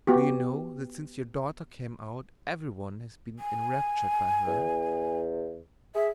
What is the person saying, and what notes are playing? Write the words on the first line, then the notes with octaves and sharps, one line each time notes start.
Do you know that since your daughter came out everyone has been enraptured by her?
B3 F#4 G4
G#5
E2
G#4 E5